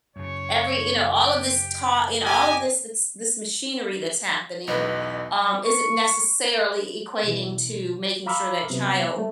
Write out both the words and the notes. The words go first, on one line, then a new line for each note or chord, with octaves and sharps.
Every you know, all of this taught you know, all of this this machinery that's happening, um, isn't necessarily equating to making sure that child
F#2 C#3 C#5
G4
G4 D#5 G#5
B1 E2 B4 D#5
G3
C#6
B2 E3
F5 A#5 B5 D6 E6 F6
C3 F#3 B3
G3 A3